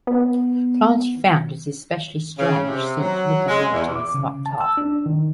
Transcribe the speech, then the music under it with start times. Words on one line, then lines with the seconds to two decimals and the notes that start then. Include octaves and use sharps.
Plante found it especially strange since "Rick and Morty" is "fucked up".
0.07 B3
2.38 C#3
2.67 C3
2.99 F#3
3.48 G#3
3.72 E2
3.96 D6
4.14 C#3
4.46 A5
4.61 E6
4.77 D4
5.06 D#3